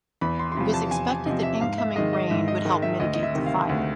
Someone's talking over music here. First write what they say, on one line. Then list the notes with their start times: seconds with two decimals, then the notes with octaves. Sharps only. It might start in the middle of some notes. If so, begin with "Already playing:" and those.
It was expected that incoming rain would help mitigate the fire.
0.21 E2 B5
0.39 C6
0.52 C6
0.57 C3 F3 B5
0.74 A5
0.91 E2 G#5
1.08 G#5
1.26 C3 F3 D#5
1.43 E5
1.61 G#2 F5
1.78 E5
1.96 D#3 G#3 D#5
2.13 D#5
2.30 G#2 E5
2.48 D#5
2.65 D#3 G#3 D#5
2.82 E5
3.00 D2 D#5
3.14 D#5
3.23 E5
3.35 C3 D#3
3.46 F5
3.69 D2 F#5